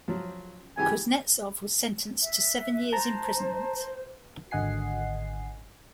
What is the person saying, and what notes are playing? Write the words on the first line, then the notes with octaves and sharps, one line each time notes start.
Kuznetsov was sentenced to seven years imprisonment.
F3 F#3
C#3 E3 G4 G#5
E5
C5 A5 A#5
G#1 D3 D#5 F#5 G#5 C7